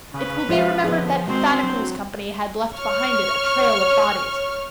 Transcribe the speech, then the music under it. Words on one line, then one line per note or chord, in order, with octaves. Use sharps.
It will be remembered that Fannicot's company had left behind it a trail of bodies.
C#3 C#4 B4
F3 F#3 G#3 F4 C5 E5 F5
F2 D3 B3 G#4 D#5
D#3 G#3 C4 F#4 C5 A5
F#3 D4
C#5 C#6 F6